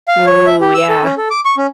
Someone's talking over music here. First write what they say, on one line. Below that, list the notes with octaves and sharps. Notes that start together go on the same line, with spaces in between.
Ooh, yeah.
F5
C#5
E5
G4
E6
A4
C#4
A4
D6
C#6
C#4